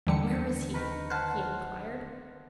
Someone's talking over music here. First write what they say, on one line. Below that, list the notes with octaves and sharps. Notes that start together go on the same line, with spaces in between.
"Where is he?" he inquired.
D#2 D3 E3 G3 A5 C#7
D#3 B4 A#5
C5 F#5 A5 F6 F#6